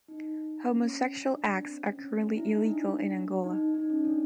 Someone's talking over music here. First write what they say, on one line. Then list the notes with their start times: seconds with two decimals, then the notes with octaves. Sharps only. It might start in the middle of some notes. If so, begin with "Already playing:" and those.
Homosexual acts are currently illegal in Angola.
0.08 D#4
0.69 C#4
1.30 D4
1.61 C4
1.92 C#4
2.22 D4
2.37 E4
2.52 D#4
2.68 D4
3.44 D#4
3.75 D#4
3.90 C#4
4.05 D4